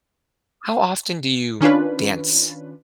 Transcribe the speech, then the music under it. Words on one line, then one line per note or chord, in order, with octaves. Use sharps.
How often do you dance
D#3 C#4 D4 F4 B4